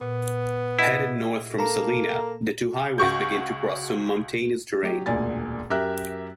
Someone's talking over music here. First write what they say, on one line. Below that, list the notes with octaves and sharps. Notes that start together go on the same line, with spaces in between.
Headed north from Salina, the two highways begin to cross some mountainous terrain.
A#2 B3
E4 D#5 F#5 B5
A#3 A4 A#5
C#2 F#4 C#6 G6
F#3 G4
E1 D2 A#2 D5 G#5 A6
F#2 G4 A#4 E5 F#6